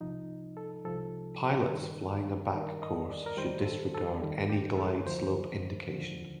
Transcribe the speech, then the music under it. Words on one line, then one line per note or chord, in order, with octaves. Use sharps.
Pilots flying a back course should disregard any glide slope indication.
C2 C3 F3 D#4
A4
C2 C3 F3 A4
G2 D#3 G3
G2 D#3 G3 A#4
D#5
D5
A#4
D#2 D#3 G3 C5
A4
A4
D#2 D#3 G3 G4
G4
A4
D#2 D3 F3 C5
D#2 D3 F3